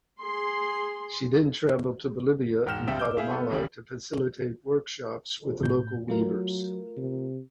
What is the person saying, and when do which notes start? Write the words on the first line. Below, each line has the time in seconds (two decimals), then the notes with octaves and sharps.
She then traveled to Bolivia and Guatemala to facilitate workshops with local weavers.
0.21 G#4 C6
2.66 E1 G#2 G5 F6 E7
2.87 C#2 G2 C4 E5 G5 E7
2.99 D6 E6 G6
3.17 E4 G#4 E5 F5
3.31 B3 A4
3.50 D#1 A1 C#3 G3
5.60 A2 G6
6.08 F#3 A3 F4 A#4
6.97 C3